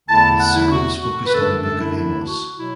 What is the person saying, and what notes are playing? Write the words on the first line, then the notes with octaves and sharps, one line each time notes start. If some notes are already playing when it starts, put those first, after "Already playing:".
His sermons focused on the Book of Amos.
E2 D3 A3 E4 A5
F#5
E4
F#4
F#4
B4
F#2 D3 A3 D4 A4
A4
E4
E4
F#4
B2 F#3 E4